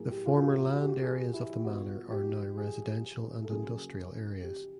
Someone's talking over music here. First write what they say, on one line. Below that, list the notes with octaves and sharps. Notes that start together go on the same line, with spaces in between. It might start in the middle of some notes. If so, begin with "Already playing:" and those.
The former land areas of the manor are now residential and industrial areas.
Already playing: A2 F#3 A#3 G#4
G4
F4
F#4
G4
F#4
G4
F#4
G#4
E4
A#2 G3 B3 F#4
G4
G#4
A4
C#3 F#3 A#3 G#4
G4